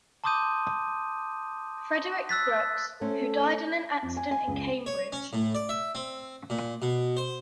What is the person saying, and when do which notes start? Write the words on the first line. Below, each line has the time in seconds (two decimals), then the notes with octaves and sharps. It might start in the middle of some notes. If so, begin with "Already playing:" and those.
Frederic Brooks, who died in an accident in Cambridge.
0.24 A5 C6 D6 D#6 G6 D#7
2.29 E6 F#6 A6 B6
3.01 A3 C#4 A4 C5
4.02 F2
4.17 G#5
4.31 G#5
4.47 C#2
4.86 C#5
5.12 C#4
5.33 A2
5.55 D5
5.69 E5
5.95 C4
6.50 A#2
6.82 B2
7.17 C5